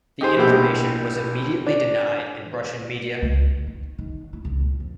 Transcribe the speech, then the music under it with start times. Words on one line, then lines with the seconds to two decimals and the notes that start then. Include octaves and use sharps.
The information was immediately denied in Russian media.
0.21 D#4 G4 G#4 C5
0.36 A#1 B2 E4 G4
1.67 D4
3.22 C#2
3.42 D2
3.67 D#3
3.98 D#3
4.33 E4
4.45 C#2
4.60 A#2
4.80 F2